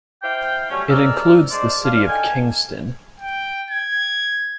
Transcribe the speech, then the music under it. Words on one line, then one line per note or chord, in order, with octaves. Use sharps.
It includes the City of Kingston.
E4 C5 F5 G5
F#3 G3 A3 C#4
D2 G#2 A#4 D5 E6 F6
G#3 D4 C5 D5
D4 F5
D#4 A4 G5 G#5
G5
G#6